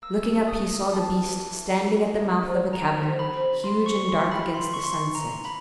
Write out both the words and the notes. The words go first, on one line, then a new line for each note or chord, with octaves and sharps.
Looking up he saw the beast standing at the mouth of a cavern, huge and dark against the sunset.
A#3 E6
G2
D#6
A#3
F2 A5
E3
A3
D4
A#3
F3
A3 A#5
C3
B5
C4
F2 C6
C#6
F#3
C6
F2
B5
E3 C6
C#6
E4 C6
E3 A#5
A#3 B5